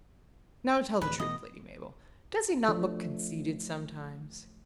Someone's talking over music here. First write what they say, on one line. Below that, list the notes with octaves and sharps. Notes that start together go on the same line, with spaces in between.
"Now tell the truth, Lady Mabel; does he not look conceited sometimes?"
D1 E3 B4
B2 E3 A3 D#5
F3 A3 D4